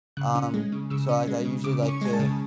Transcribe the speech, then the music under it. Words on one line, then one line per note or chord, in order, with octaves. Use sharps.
Um, so, like, I usually like to,
C#3 F#6
C#4
G#3
C#3
C#3 E6
C#4
G#3
C#3
C#3 D6
C#4
C#6
G#3 G#5
A5
C#3